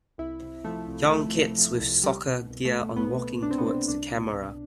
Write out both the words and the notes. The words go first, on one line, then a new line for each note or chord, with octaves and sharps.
Young kids with soccer gear on walking towards the camera.
C2 E4
C3
F3 A3
C2
C2 A3
C3
F3
C2
C2 G3
B2
C2
A3
B2
C2 B3
B2
C2 D4
C4
B3
B2 C4
C2 D4
B2
C2